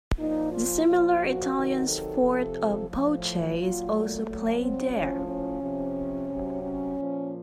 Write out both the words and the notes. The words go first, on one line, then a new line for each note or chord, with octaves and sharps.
The similar Italian sport of bocce is also played there.
A#2 F3 D#4
F4
A#2 F3
F#4
C3 D#3 F#3
A4
C3 F3
A2 F3
A#2 F#3 F4
A3
A#2 F#3
C4
A2 F3 C#4
C#4
C3 F3
C3 F#3
C#4
A#2 F3